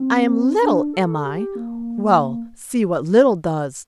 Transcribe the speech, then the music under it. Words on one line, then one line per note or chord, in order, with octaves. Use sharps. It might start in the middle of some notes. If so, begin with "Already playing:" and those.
"I am little, am I? Well, see what little does!"
Already playing: C4
D4
A4
G4
A#3